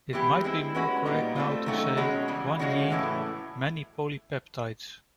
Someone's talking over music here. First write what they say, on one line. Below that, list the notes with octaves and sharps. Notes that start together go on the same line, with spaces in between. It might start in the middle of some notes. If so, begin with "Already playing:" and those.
It might be more correct now to say "One gene - many polypeptides".
E3 G#3 B3 E4 G4
G#3 C4 E4
G#3 C#4 F#4 B4
A#2 G3 B3 D#4
A3 C4 F4
D#3 F#3 A3 C#4 F#4
B2 G#3 C#4 F#4
C#3 E3 G3
C#3 F3 G#3 C#4 F#4
A2 E3 A3 C#4